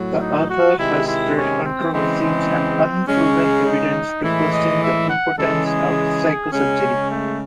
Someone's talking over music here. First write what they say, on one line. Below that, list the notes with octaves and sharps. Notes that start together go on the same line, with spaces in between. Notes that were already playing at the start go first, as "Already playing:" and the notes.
The author has spread controversies and unproven evidence to question the importance of psychosurgery.
Already playing: A2 F#3
D#4
F#4
C3 D#3 G#3 E4
E4
C#4
C4
C#3 E3 G#3 C4
C4
C#3 G#3 C#4
D#4
A2 E3 G#3 E4
D#5
E5
F#5
C#3 E3 G#3 A4
G#4
C#3 G#3 C#4
A3